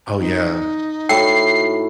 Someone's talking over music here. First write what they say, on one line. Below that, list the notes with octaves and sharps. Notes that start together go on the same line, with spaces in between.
Oh, yeah.
D#4
A2 E4 F#4 G5 C7